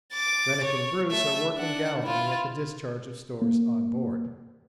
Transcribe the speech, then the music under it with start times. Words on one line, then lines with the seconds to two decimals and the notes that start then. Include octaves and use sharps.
Rennick and Bruce are working gallantly at the discharge of stores on board.
0.13 D6 A6
0.64 C#5
1.11 A3 E5
1.56 D4 F#5
2.04 E4 F4
3.42 A#3